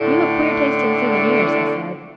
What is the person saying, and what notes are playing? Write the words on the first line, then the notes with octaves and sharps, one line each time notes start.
'You've a queer taste in souvenirs,' I said.
A2 D3